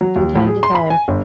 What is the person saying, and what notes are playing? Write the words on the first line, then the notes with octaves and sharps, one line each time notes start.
from time to time,
F#3
D#2
A2
G#4
C6
B5
G#5
G1